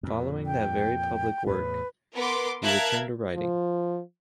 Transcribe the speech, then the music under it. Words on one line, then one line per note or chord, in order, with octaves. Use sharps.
Following that very public work, he returned to writing.
F2 A#2
G5
E2 A2 B4
B3 A#4 B4 C6 D6
A#4 E5 F5 A5 F#6 G#6
F3